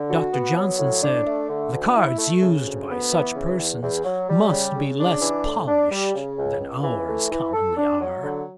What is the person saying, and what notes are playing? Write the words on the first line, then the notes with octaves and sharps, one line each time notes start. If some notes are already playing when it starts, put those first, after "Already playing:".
Dr. Johnson said, 'the cards used by such persons must be less polished than ours commonly are.'
Already playing: D3
F#4
B3
F#3
A2
D4
A3
D3
D2
E4
A3
C#3
D2
B3
E3
C#3
E2
E2
F#3
G3
C#3
C#3
D4
E3
A2
D4
G3
C#3
C#2
C#2
E3
A3
E3
A4
D4
F#3
D3